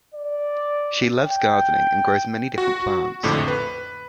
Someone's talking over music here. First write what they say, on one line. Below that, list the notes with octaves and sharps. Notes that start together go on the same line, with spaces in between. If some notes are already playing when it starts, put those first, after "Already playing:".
She loves gardening and grows many different plants.
D5
G5
F#4
A#1 F2 A2 D3 D6
B4